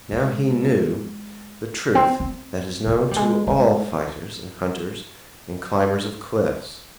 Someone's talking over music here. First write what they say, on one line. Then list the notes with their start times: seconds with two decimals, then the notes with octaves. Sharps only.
Now he knew the truth that is known to all fighters, and hunters, and climbers of cliffs.
0.12 G#3
1.95 C4
2.20 C4
2.87 A#3
3.11 G3
3.16 G#3
3.47 G#3